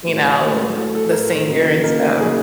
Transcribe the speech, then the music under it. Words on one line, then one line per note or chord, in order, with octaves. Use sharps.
you know, the singer and stuff.
A2 F#3 A3
A2 F#3 A3
A2 F#3 A3 A4
A4
A2 F#3 A3 A#4
C#3 F#3 A#3 D#4
C#3 F#3 A#3 D#4 A#4
C#3 F#3 A#3 D#4 G#4